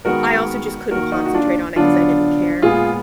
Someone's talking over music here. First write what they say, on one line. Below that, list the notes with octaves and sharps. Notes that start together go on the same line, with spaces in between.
I also just couldn't concentrate on it 'cause I didn't care.
D#3 G#3 B3 F#4 A#4
D#3 A#3 F#4 A#4
D#4 F#4
F#4
D4 F4
D3 F#3 B3 D4 F4
A#2 G#3 B3 F4 G#4